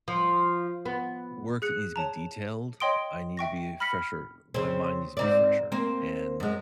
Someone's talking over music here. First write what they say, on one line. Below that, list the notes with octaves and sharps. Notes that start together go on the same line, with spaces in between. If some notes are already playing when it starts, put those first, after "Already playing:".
work that needs to be detailed, I need to be fresher, my mind needs to be fresher. And, eh,
F3
B3
G#4 F#6 C#7
C#5 A5 A#5
C#5 D#5 G5 C6 D#6 D7
E5 G5 C#6 A#6
B5 F6 A#6 B6 C#7
C#3 C4
G#2 C4 D5
A#3 C4
F#2 G#3